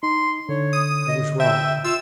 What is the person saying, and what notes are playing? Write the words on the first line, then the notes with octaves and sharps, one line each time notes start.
I was wrong.
D#4 C6
D3 C#5
D#6
D#5
E5 G5
F4 E6